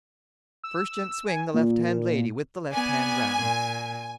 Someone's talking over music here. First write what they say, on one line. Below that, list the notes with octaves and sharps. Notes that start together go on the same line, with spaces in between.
"First gent swing the left-hand lady, with the left hand round."
E6
G#5
A#2
B3 D5 G#5
A#2